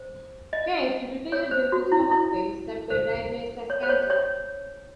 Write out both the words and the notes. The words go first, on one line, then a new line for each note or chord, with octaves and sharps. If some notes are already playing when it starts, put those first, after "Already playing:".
Caird retired due to stomach pains that were diagnosed as cancer.
Already playing: C5
D#5
C#5
C5
F#4
E4
E4
C5
C#5
C5
C#5
C#5